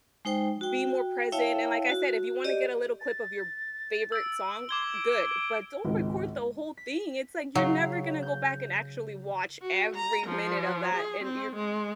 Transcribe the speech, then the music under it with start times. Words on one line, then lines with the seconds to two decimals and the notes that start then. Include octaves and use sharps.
be more present, and like I said, if you wanna get a little clip of your favorite song, good, but don't record the whole thing, it's, like, you're never gonna go back and actually watch every minute of that, and you're
0.25 G#3 D#4 C5 G5
0.61 F#4 G5
1.32 E4 C#5 E5 F5 G5 A5
1.89 F#4
2.44 G4 D5 D#5
3.01 A6
4.12 E6 D7
4.69 C6 D6 G#6 G7
4.94 D7
5.85 G#1 C#2
6.77 B6
7.55 C#3 F#3 F5
8.22 G6
9.61 F#4
9.95 A#5
10.27 F3
10.95 G#4
11.23 C4
11.55 G#3